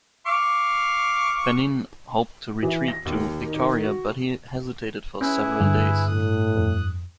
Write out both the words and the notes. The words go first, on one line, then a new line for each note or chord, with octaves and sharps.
Fannin hoped to retreat to Victoria, but he hesitated for several days.
F5 C#6 D6
E3
A#6
D#2
D#3
D#3
F#4
C#4 E4 G#4 B4
G2 D3
A2 D#6 F#6
F2